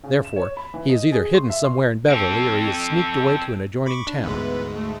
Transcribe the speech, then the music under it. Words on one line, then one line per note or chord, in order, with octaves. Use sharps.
Therefore, he is either hidden somewhere in Beverly or he has sneaked away to an adjoining town.
C#3
E7
C#5
B5
E3
D#5
G#4
C6
E5
C6
C4 A4
B5 C#6 D6
D4
D2 G#2 E3 G#3 B3 B4
A3